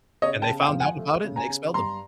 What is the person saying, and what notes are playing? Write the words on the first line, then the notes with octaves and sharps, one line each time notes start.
And they found out about it, and they expelled him.
C#3 C#5 D#5
G5 A5
C#3
F5 G5
F3
F#5 G#5
A3
C#3
G#5 A#5
C#3
G2 A#5 C6